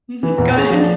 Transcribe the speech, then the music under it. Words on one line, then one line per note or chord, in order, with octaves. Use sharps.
mhm, go ahead, ye
E3
E2 A#2 A#5
C#4 G#4 A6 A#6 F7
F3 D4